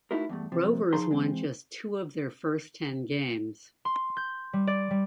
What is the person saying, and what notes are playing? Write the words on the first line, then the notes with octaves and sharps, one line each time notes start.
Rovers won just two of their first ten games.
A3 D#4 E4 F#4 A#4
E2 G2 A3
C3 F3
F3 D#4 G#4 C#5 A#5 C6
E3 G#3 C4
C6
G6
G3
D5
G3